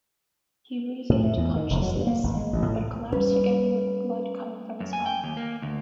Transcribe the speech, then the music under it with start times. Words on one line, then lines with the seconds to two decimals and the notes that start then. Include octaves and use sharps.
He regained consciousness, but collapsed again with blood coming from his mouth.
1.10 A2
1.23 A3
1.37 E2
1.56 D#3
1.70 F1
1.82 F#3
1.95 G2
2.07 A#3
2.24 G#1
2.37 G#3
2.53 A1
2.66 A2
3.13 G3 C#4 B4
4.80 F#2
4.93 G#5
5.06 G5
5.24 D#2
5.37 A#3
5.62 D2